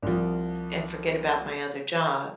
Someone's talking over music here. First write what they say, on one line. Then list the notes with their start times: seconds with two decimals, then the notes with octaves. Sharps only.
and forget about my other job,
0.02 C2 F3